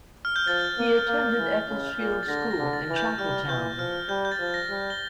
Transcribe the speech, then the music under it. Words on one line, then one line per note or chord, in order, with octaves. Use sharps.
He attended Ecclesfield School, in Chapeltown.
F6
G6
F3 A6
A#3
A#3
E3
C#3
A#2
A6
D3 A#6
A#6
D3
A6
E3 A6
G6
G3 F6
E3 G6
F3 F6
G3 G6
G6
A6
F3
A#6
G3
G7